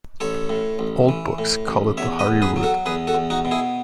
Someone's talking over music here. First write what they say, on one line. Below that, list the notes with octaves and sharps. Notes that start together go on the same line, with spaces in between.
Old books call it the Hari Rud.
A1 A4 C#5
A2
A1
E3
A2
A1
E2 C#5 E5
B4 D#5
E2
G#4 B4
F#3
F#4 A4
E2 G#4 B4
F#4 A4
E2
D#4 F#4
B2
E4 G#4